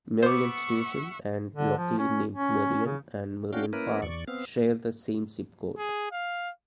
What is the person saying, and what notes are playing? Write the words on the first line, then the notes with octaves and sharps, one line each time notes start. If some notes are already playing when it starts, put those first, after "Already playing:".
Merion Station and locally named Merion and Merion Park share the same zip code.
B3 C5 E5 F#5 C#6 D6
D3
F3
C#4
C#4
C#3
C#4 D4 F#4 F5 G5
A#3 C#4 E4 A#4 B4
E2 D5 C#6
B3 C4 F5
G#4
F5